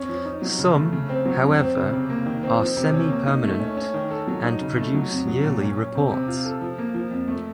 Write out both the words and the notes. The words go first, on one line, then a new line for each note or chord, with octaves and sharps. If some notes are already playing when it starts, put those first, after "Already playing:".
Some, however, are semi-permanent, and produce yearly reports.
Already playing: F2 C#4
F3
D#4
F#3
C#3
A3
C#3
C4
F#3
F2
C4
C#3
C3
A#3
D#3
C4
F3
C3
C#4
A#3
D#4
A3
C#4
C#4
D#3
A4
F#3
D#4
C#3
A3
F#3
F2
F#3
A#2
C#4
C#4
C3
C3
F4
A4
F3
A#3
F3
F2
A3